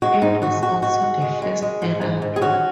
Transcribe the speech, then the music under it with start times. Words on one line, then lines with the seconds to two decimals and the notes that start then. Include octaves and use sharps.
It was also the first Therapy?
0.02 G#3 F#4
0.22 G#2 D#4
0.42 G#2 F#4
0.62 G#2 F#4
0.82 G#2 F#4
1.02 G#2
1.22 G#3
1.42 G#3
1.62 G#3
1.82 G#2
2.01 G#2
2.22 G#2
2.36 G#4
2.41 C#4 F#4